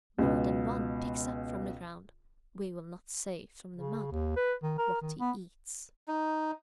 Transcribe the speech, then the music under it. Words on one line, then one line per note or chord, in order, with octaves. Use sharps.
More than one picks up from the ground--we will not say from the mud--what he eats.
C#2 B2 B3
C#3
D#2
B4
D#3
A#4
D#3
B3
D#4